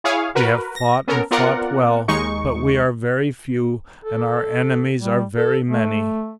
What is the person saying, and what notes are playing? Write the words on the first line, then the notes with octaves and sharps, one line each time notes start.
We have fought and fought well, but we are very few, and our enemies are very many.
E4 G#4 C#5 F5
F#4 A#4 B4
A#6
B3 C#4 A4 A#4
B3 C4 F4 A#4 D5 F#5
D#2 G#3 D#4 C#6
A4
G3
A4
A3